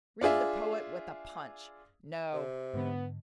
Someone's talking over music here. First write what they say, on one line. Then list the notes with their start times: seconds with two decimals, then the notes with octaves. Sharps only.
Read the Poet with a Punch!' No.
0.21 D4 F4 G#4 E5
2.34 C3
2.74 G#2 D3 B3